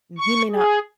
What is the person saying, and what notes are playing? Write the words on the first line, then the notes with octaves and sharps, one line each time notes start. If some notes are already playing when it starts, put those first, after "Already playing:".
he may not
C#6
G#4